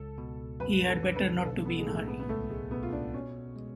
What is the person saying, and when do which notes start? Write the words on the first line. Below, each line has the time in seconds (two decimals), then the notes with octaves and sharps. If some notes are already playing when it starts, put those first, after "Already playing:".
He had better not be in a hurry.
Already playing: C#2 A4
0.18 B2
0.60 F#2 B4
0.89 A4
1.03 D3
1.16 B4
1.45 B1 A4
1.66 B3
1.79 G#3
1.86 A2 A3
1.97 A3
2.07 B3
2.20 B3
2.29 C#2 A3
2.50 G#3
2.71 B2 B3
2.83 F4
2.93 D4
3.13 B2 C#4
3.56 G#3